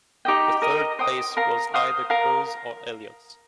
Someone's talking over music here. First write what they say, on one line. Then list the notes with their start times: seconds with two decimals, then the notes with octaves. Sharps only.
The third place was either Coe's or Elliott's.
0.25 D#4 G4 D#5 G5
0.62 A#4 D#5 A#5
0.99 C5 G5 D#6
1.37 A#4 F5 A#5
1.74 C5 F5 D#6
2.10 A#4 F5 A#5